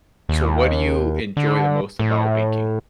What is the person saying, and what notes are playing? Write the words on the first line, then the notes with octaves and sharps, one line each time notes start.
So what do you enjoy the most about baking?
D#2
D3
A2